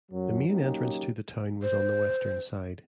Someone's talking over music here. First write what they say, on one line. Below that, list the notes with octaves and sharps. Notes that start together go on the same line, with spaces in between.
The main entrance to the town was on the western side.
F#2 F#3
F#3 A#3 C#4 D#4 G4
C5